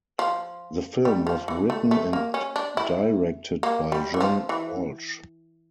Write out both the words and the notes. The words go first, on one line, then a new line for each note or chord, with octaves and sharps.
The film was written and directed by John Walsh.
F3
G3
F3
E3
A3
A3
A#3
C#4
D4
E4
A#3
G3
E3
F3
E3